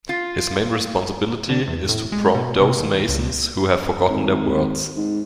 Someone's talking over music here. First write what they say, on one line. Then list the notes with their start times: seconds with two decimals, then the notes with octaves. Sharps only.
His main responsibility is to prompt those masons who have forgotten their words.
0.09 F4
1.49 D3
1.68 E2
1.89 A2
2.12 G#3
2.35 B2
2.61 C3
2.79 D#2
3.09 C#2
4.10 G#1
4.97 G#2